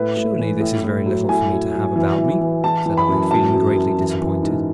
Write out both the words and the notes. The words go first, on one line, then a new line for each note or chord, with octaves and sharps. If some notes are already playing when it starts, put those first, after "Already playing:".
"Surely this is very little for me to have about me!" said I, feeling greatly disappointed.
Already playing: A2 B4
A2
E3
A2
A2
F#3
A2 G#5
F#3
F#3
E3
E3
E3
E3 A5
E3
B5
F#2
F#3 A5
F#2
F#2
E3
E3
G#2